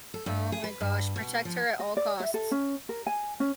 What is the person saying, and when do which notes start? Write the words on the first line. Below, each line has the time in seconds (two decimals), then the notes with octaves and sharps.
Oh my gosh. Protect her at all costs.
0.14 A4
0.26 G2
0.52 G#4
0.64 B4
0.81 G2
1.16 B2
1.45 F3
1.79 D#5
1.97 D5
2.20 E5
2.34 A4
2.51 C#4
2.89 A#4
3.07 G#5
3.40 C#4